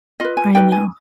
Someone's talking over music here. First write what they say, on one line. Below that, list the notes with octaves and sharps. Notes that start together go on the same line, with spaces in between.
I know.
F4 B4 D#5
G#5
D#4 B4 G5
G#5